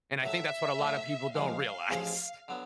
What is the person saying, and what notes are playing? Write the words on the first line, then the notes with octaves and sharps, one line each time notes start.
and I think that's what a lotta people don't realize,
A2 F#3 A3 E5
A2 F#3 A3
A1 G#2 F3 G#3 C#4 F5
A1 G#2 F3 G#3 C#4
D3 F#3 B3